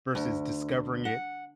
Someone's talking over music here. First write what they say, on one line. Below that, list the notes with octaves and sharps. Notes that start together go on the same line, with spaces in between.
versus discovering it
D2
F#5